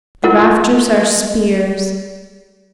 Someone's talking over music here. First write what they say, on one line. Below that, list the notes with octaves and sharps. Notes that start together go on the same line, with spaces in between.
The rafters are spears.
E4 F4 A#4 F#5